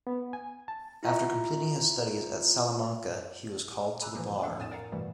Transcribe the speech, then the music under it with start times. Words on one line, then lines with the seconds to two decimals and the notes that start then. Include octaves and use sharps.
After completing his studies at Salamanca he was called to the bar.
0.07 B3
0.33 G#5
0.68 A5
1.03 E4 F4 E5 A#5 C#6
4.01 G#5 A#5 B5 D6 E6 F#6
4.15 A#2 E3 F3 A#3
4.41 F3 A3 D4 A4
4.59 F2 A2 G#5 D#6 A6 E7
4.71 A#4 D5 F5 F#5 A#5
4.92 G2 B2 E3 G3 A3